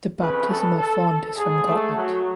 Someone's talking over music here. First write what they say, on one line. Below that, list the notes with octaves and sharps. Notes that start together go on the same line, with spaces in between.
The baptismal font is from Gotland.
F2 C#3 B4
A4
A4
G#2 G#4
A3
F#3